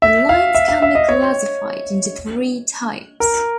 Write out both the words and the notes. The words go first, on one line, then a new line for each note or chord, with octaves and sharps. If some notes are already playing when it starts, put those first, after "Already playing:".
The lines can be classified into three types.
E5
F5
E5
F5
E5
D#5
C#5
A#4